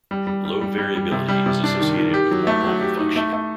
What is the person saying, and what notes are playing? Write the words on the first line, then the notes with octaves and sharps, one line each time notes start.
Low variability is associated with more normal functioning.
G3
G3
G3
G3
G3
G3
C3
G3
C3
D4
D#3
D#3
G4
F#3
A3
F#3
G4
D#4
A3
A3